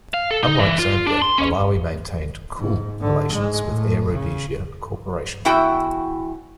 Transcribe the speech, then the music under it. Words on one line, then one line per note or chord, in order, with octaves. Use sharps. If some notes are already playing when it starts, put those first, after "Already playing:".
Unlike Zambia, Malawi maintained 'cool' relations with Air Rhodesia Corporation.
F5
A4
D#4
E3
F4
D4
C6
C#4
G#2
G#2 D3
G#2 G#3
A2
C#3
E2 E4 F#4 G5